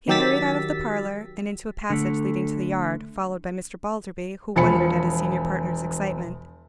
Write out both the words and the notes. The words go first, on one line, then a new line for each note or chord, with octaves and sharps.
He hurried out of the parlour, and into a passage leading to the yard, followed by Mr. Balderby, who wondered at his senior partner's excitement.
D#3 F#3 G4 E6 A6 B6
D3 A3
E1 F3 G#5 B5 C#7